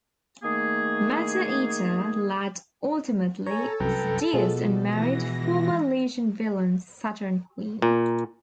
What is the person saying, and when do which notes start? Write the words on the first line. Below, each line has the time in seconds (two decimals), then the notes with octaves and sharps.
Matter-Eater Lad ultimately seduced and married former Legion villain Saturn Queen.
0.43 D#3 A3 A#3 G#4
3.47 A4 C#5 G#5 A#5
3.80 C2 F#2 B4 G5 A#5
4.33 B2 F3 G#3
4.87 E3 A#6
7.82 A#2